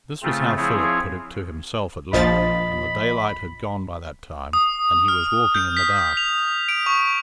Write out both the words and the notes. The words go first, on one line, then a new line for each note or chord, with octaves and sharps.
This was how Philip put it to himself at length, and the daylight had gone by that time, and he was walking in the dark.
C#3 A3 C4 F4
F3 C4 E4 G#4 C#5
A#1 F3 D#5 B5 A6
D#6
F6
G6
B6
F7
D7
C#6